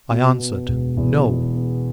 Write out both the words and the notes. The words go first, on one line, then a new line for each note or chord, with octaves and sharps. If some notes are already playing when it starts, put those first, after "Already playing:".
I answered, No.
B2
B3
E1
E2
B2
B3